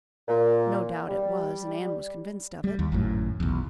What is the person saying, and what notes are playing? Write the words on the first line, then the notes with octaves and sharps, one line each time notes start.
No doubt it was, and Anne was convinced of it.
A#2
G3
G3
D#2
G#1 F#2 A2
B1 E2